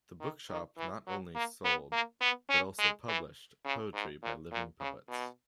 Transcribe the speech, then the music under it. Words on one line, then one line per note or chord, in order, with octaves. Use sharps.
The Bookshop not only sold, but also published, poetry by living poets.
D#3
D#3
E3
F#3
A#3
B3
A#3
B3
C#4
G#3
E3
C#3
G#2
A#2
A#2
C#3
B2